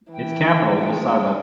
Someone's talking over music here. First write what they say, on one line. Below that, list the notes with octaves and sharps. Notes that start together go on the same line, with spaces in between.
Its capital is Sibut.
E3 G5
G#3 A3 C#4 F4